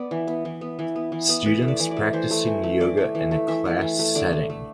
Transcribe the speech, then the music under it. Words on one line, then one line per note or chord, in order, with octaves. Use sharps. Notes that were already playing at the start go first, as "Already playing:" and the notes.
Students practicing yoga in a class setting.
Already playing: B3 D5
E3
B3
E3
B3
E3
B3
E3
B3
E3 B4
A3
D5
E3
D5
A3
E3 C5
A3
E3
A3
E3 D5
A3
E3
A3
E3 E5
A3
E3
A3
D3 D5
D3
A3